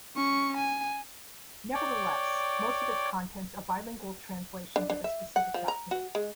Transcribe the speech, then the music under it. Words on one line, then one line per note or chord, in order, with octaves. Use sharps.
Nevertheless, most of its contents are bilingual translations of a specific document.
C#4 C#6
G#5
C#5 D5 G5
D4
D4
E5
F#5
F3
A#5
F#4
G#3